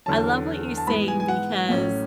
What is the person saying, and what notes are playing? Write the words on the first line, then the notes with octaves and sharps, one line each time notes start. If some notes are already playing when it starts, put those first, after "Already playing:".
I love what you're saying because,
E2 D3 F#3 A5
A5
G#2 E3 G#3 B3 B5
G#5
G#5
F#5
A1 A2 F#3 C#4